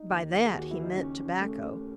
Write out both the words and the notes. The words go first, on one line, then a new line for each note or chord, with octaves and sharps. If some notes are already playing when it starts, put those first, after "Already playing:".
By that he meant tobacco.
Already playing: D#4
D#2
G#4
D#2 F#4
E4
D#4
C#3 C#4
A3